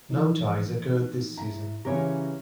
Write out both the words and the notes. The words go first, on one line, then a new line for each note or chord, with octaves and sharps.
No ties occurred this season.
E3 F3 D#4
E4 A#5
C#3 E3 C#4 G4 C5 C#5 A#5